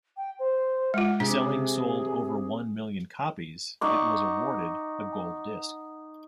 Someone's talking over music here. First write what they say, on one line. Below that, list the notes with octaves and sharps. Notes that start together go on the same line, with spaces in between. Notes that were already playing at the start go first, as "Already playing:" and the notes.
Selling sold over one million copies, it was awarded a gold disc.
G5
C5
G#3 F4 F#5
C3 D4 G#4
D#4 F#5 C#6 D6